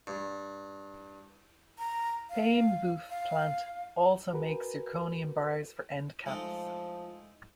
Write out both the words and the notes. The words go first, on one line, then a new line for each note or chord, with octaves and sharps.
Paimboeuf plant also makes zirconium bars for end caps.
G2
A#5
F5
F5
F#4 G#4 A#4 B4
F3 G#3 A3 D#4